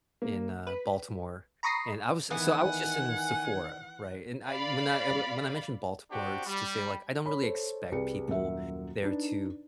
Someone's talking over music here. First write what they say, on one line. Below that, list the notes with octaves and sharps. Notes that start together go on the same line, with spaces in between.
in, uh, Baltimore, and I was so I was just in Sephora, right, and I when I, eh, when I mentioned Baltimore, it's to say, like, I don't really expect people there to
A#3
B4
A#5 B5 C#6 D#6 A#6 C7
D#3 E3 B3 F#5 G#5
D5 F5 B5
C4 D4 F#4 G4 G5
G3
C#5 B5
A4 C5 C#5
C2 G3 G#4 B4 C#7
D#1 F#2 F#4 A#4 E5
D4 D#4 B4